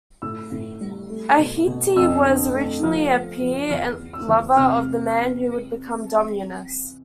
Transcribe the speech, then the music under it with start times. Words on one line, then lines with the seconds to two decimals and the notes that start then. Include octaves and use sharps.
Ahti was originally a peer and lover of the man who would become Dominus.
0.22 A2 E6
0.52 A2
0.81 G3
1.10 A3
1.38 B2
1.67 B2
1.96 F2 E6
2.26 D3
2.54 A3
2.83 F3 F6
3.12 B3
3.41 F3
3.70 E2 F6
3.99 B3
4.13 E6
4.28 E2
4.56 C3 F6